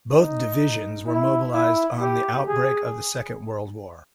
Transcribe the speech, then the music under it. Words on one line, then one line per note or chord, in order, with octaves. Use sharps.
Both Divisions were mobilised on the outbreak of the Second World War.
D#4
E4
E4
G4
G#4